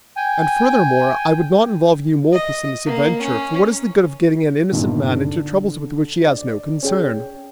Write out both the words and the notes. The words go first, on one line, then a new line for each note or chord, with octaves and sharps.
And furthermore, I would not involve Eumolpus in this adventure, for what is the good of getting an innocent man into troubles with which he has no concern?
G5 G#5
D#5
A#3
C#4
G1 G2 A#2 D#3
D3 D4
D5
C#4 G#4 G5